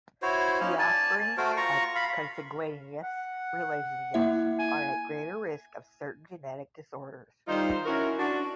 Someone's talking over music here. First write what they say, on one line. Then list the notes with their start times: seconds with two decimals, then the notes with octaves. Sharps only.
The offspring of consanguineous relationships are at greater risk of certain genetic disorders.
0.22 E4 F#4 C5 C#5
0.60 A#3 C#4 D#4
0.79 D5 G#5 A5
1.37 A3 F#4 A#4 C5
1.57 F4 A#5 C#6
1.95 F5 B5
3.04 F#5
4.14 A#3 E4 E5
4.59 G#5
7.47 D#3 G3 D#4 F4 C5
7.86 C#4 E4 F#4 A#4
8.18 D4 F#4